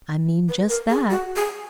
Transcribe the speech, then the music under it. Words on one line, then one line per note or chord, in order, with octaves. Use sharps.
"I mean just that."
B4
A#4
G#4
F#4
G#4